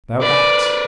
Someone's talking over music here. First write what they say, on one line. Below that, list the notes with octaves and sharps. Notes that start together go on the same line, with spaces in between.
Thou bat!
A#4 B4 D5